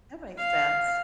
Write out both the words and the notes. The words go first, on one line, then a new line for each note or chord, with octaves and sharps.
That makes sense.
F5